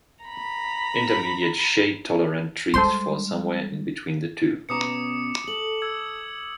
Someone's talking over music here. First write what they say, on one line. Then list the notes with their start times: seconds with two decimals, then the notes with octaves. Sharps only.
Intermediate shade-tolerant trees fall somewhere in between the two.
0.25 A#5 B5
2.74 G3 G#3 A4 C5 C6
4.69 B2 C#4 A#5 D6 D#6 C#7
5.47 A4 F#7
5.82 E6 G#6